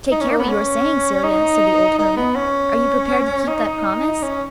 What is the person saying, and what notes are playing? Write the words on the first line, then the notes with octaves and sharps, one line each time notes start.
"Take care what you are saying, Celia," said the old hermit; "are you prepared to keep that promise?"
D#4
C#4
A#3
B3
C#4
D#4
D#4
B3
C#4
D#4
C#4